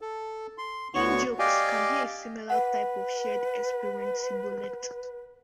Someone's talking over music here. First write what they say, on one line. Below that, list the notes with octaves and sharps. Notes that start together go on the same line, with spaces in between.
In-jokes can be a similar type of shared-experience shibboleth.
A4
C6
D2 D3 B3 F#4 C#5 C#6
G4 D5 D#5 F5 G5 G#5
B4 F#5